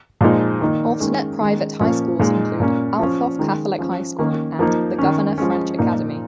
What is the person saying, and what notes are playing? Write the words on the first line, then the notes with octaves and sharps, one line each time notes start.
Alternate private high schools include Althoff Catholic High School and The Governor French Academy.
A#2 F3 G#3 D#4
D#3 A#3 D#4
D#3 G#3 C#4
D#3 G#3 C#4
A#2 F3 A#3 C#4
A#2 G#3 D#4
A#2 A#3 C#4
F3 C#4
D#3 G#3 D#4
F3 C#4
D#3 A#3 C#4
F3 A#3 D#4
D#3 C#4
F3 G#3 C#4
A#2 F3 A#3 D#4